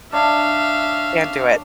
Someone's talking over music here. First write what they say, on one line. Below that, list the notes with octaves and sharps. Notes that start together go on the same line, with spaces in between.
Can't do it.
D4 C#5 E5 F5